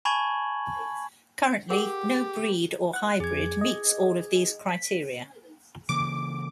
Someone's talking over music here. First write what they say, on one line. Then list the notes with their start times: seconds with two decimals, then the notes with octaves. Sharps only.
Currently, no breed or hybrid meets all of these criteria.
0.05 G#5 A5 B5 C#6 G#6 F#7
1.70 G4 G#4 A#4 F#5 D6
2.93 F#5 F#6
3.20 F2 G#4 G#6
3.61 D#5
4.69 B6
5.89 C#3 E3 A#3 D6